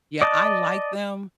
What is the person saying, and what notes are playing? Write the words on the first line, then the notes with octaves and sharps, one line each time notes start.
Yeah, I like them,
D5 D#5 A5